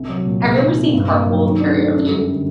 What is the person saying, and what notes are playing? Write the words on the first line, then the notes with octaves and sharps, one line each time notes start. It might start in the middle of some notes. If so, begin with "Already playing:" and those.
Have you ever seen Carpool Karaoke
Already playing: C2
F#3
A#2
C2
D#3
C3
G2
A#3
F#3
D#3
D4
A3
F#2
G3
D3